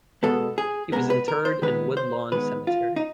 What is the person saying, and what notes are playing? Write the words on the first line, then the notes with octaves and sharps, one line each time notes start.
He was interred in Woodlawn Cemetery.
B2 G#3 B3 A4
G#4
B2 G#3 B3 A#4
B4
A#4
C5
D#3 G#3 B3 B4
C5
D#3 G#3 B3 B4
F4
D#4